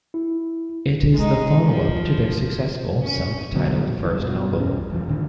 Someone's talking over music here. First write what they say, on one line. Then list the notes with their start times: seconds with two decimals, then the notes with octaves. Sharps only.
It is the follow-up to their successful self-titled first album.
0.14 E4
1.14 G#3 D#4
1.65 F3
3.03 C#4
3.55 B2 D3 F#3 B3
3.99 G1 G2 E3
4.20 G2 B2 F3
4.57 B1 C#4
4.90 E1 E3 F3
5.08 A2 D3 D#3